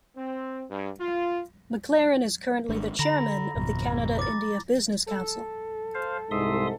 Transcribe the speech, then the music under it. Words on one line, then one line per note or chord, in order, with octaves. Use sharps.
MacLaren is currently the Chairman of the Canada-India Business Council.
C4
G2
F4
G#1 G#3 D4
D3 A#5 B5 A#6
G#1 F2 B2
D6 A6
A4
C5 F5
C2 G#2 E5 C6 D#6